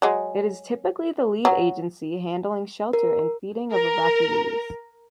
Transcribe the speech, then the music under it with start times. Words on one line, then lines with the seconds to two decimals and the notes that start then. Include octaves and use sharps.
It is typically the lead agency handling shelter and feeding of evacuees.
0.02 F#3 G#3
1.45 F#3
2.93 A#4
3.72 A#4